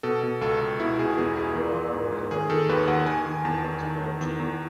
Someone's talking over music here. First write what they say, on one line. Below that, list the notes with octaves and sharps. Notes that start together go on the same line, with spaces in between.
Lake Illawarra was a valuable source of food and spirituality.
B2 A4
B2
C#2 A4
C#2
B2 E4
B2 G#4
E2 G#4
E2 G#4
E3
E3
G#2
G#2
D#3 G#4
D#3 A4
D#2 B4
D#2 F#5
D#3 G#5
D#3
E2 A5
E2
D#3
D#3
E2
E2